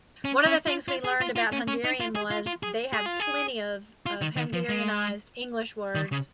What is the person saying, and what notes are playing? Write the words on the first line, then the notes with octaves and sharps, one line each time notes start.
One of the things we learned about Hungarian was they have plenty of of Hungarianized English words
C#4
C#4
F4
F4
G#4
F4
F4
C#4
C#4
D#4
F4
G#4
F4
F4
G#4
G#4
F4
G#4
F4
D#3
D#3
F3
G#3
D#3
C#3